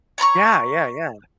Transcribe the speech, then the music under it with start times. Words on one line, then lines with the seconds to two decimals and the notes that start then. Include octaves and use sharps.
Yeah, yeah, yeah.
0.18 C#5 A#5 B5 C#6